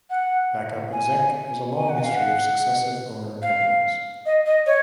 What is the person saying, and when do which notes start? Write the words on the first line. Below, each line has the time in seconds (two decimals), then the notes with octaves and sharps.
Backup Exec has a long history of successive owner-companies.
0.10 F#5
0.93 G#5
1.76 G#5
1.89 F#5
2.03 F5
2.17 F#5
3.42 F5
4.26 D#5
4.46 D#5
4.66 C#5